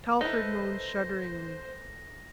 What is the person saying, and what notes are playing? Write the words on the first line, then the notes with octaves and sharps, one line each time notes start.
Telford moaned shudderingly.
D#4 E4 A4 B4 C5 A#6